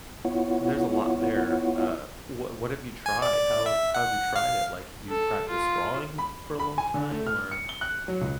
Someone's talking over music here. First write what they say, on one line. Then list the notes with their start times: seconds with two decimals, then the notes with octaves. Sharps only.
there's a lot there, uh, wha what have you tried? How how have you tried it? Like, you practiced drawing for a long time? Or
0.25 B3 E4 F4 C#5 F#5
3.06 G#5
3.22 D5
3.66 E5
3.94 F#5
4.36 F5
5.08 A4
5.49 F4
6.18 B5
6.59 B5
6.78 G#5
6.94 D3
7.11 A3
7.27 F6
7.51 C#7
7.69 G7
7.81 F#6
8.08 F#3
8.21 C#2